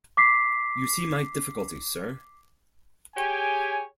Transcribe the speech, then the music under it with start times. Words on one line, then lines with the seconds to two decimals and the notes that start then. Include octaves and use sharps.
You see my difficulty, sir?
0.17 D6 B6 C7
3.16 G4 G#4 C#5 G5 G#5